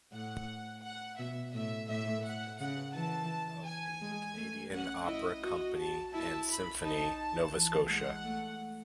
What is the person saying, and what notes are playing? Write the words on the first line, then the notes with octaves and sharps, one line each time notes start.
He was principal horn of the Canadian Opera Company and Symphony Nova Scotia.
A2 F#5
F#5
B2 E5
A2 E5
A2 E5
F#5
C#3 F#5
E3 A5
G#5
G#3
A3
C#4 F#5
E4 D#5
F#4
A5
E4 A5
B5
D#4 A5
E3
G#3 F#5
A3